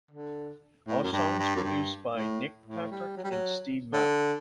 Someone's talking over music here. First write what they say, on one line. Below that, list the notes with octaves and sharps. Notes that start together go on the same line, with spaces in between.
All songs produced by Nick Patrick and Steve Mac.
D3
A2
F#2
G2
G2
F#2
G2
A2
A2
G3
F#3
G3
F#3
D3